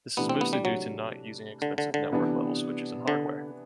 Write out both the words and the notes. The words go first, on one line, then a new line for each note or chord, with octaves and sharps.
This is mostly due to not using expensive Network level switches and hardware.
C3 E3 A3 B3 D4
C4
B3
G3
F#3
D3
D3
D3
C3 E3 B3 D4
D3